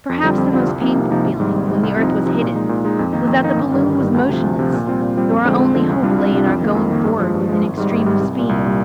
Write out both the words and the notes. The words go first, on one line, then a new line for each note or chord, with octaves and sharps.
Perhaps the most painful feeling when the earth was hidden was that the balloon was motionless, though our only hope lay in our going forward with an extreme of speed.
F2
D3 G3 C4 F4
F2
D3 G3 C4 F4
C2
C3 F3 A#3 D#4
C2
C3 F3 A#3 D#4
G#1
G#2 G3
G#1
G#2 G3
C2
C3 F3 C4 D#4
C2
C3 F3 C4 D#4
A#2
G#3 D#4
A#2
G#3 D#4
F2
D#3 A#3 D#4
F2
D#3 A#3 D#4
G1
G2 D#3 G3
G1
G2 D#3 G3
D2
C3 F3
D2
C3 F3
A#2
G3 C4 F4
A#2
G3 C4 F4
F2
D3 F3 G#3 C4
F2
D3 F3 G#3 C4
C2
C3 G3 D4 F4
C2
C3 G3 D4 F4
F2
D#3 A#3
F2
D#3 A#3
G2
F3 G#3
G2
F3 G#3
G#1
G#2 G3
G#1
G#2 G3
C2
A#2 G3
C2
A#2 G3